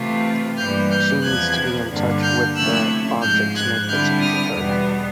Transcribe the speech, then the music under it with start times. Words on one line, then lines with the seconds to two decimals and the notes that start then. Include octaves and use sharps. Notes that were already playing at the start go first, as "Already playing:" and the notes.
She needs to be in touch with the object to make the change occur.
Already playing: C3 E3 A3 C4 F4
0.57 G2 E3 G3 A#3 F6 G6
0.90 F6 G6
1.23 E2 C3 F3 F#6 G#6
1.90 G2 D3 G3 A#3
2.22 F6 G6
2.56 C3 F3 A3 C#4 E4 E6 F#6
3.21 G#2 F3 G#3 F6 G6
3.55 F#6 G#6
3.88 D3 G3 C4 E4 F6 G6
4.20 D#6 F6
4.54 E2 B2 G3 B3